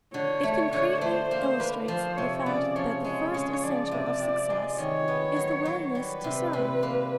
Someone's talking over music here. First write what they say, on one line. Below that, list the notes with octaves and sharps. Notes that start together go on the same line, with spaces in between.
It concretely illustrates the fact that the first essential of success is the willingness to serve.
D3 C#5
A3
D3 C#5
A3 C5
A#3 C5
A#3 B4
F3 C5
C3 C#5
C#3 D5
F3 C#5
G#3 C#5
C#3
F3 D5
C3
C3
G#3
D#3 C#5
B3
F#3
F#3
G3 B4
C3
C3
A#3